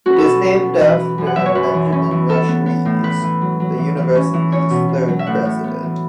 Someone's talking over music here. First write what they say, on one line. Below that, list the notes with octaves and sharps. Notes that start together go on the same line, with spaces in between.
It is named after Benjamin Rush Rhees, the university's third president.
C#4 F#4
B4
A4
B2
F#3
B2
E3 B4
E3
F#2
F#5
F#3 E5
C#5
F#2 B4
E3
C#4
E3
B3 A4
B3
B3
A2
E3 B4
E3
F#3
F#3
E3
E3
C#4
E3
C#4 C#5
B2
B2
F#3
E5
A2 F#5
A2
B3
E3